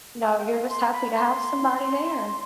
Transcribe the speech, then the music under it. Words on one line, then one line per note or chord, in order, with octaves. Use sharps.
No, you're just happy to have somebody there.
G#5
G5
F5
C6
B5
C6